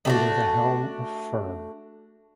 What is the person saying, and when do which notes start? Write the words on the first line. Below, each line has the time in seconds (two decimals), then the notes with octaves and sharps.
Under the helm of Fr.
0.05 A3 D4 F#4